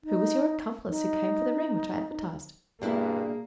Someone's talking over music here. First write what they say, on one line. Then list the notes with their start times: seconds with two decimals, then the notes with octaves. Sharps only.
"Who was your accomplice who came for the ring which I advertised?"
0.04 D#4
0.89 D#4
2.82 G2 B2 A#3 D4 E4 G#4